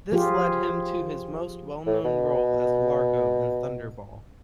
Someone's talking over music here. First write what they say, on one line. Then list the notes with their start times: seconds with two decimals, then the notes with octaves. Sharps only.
This led him to his most well known role as Largo in "Thunderball".
0.12 F3 F4 G4 G#4
1.86 A2
2.05 B2